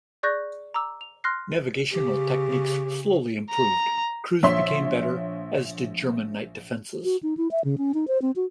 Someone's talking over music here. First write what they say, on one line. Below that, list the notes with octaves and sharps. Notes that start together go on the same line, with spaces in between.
Navigational techniques slowly improved, crews became better, as did German night defenses.
G#4 D5 C#6 F#6 G6 A#6
A#5 D6 E6
F7
C6 F6 F#6 A#6 C7
C#3 G4
A#5
A#1 C#5 E5 C6 B6
F#4
D#4
E4
E5
C#3
C#4
D#4
C5
C4
F#4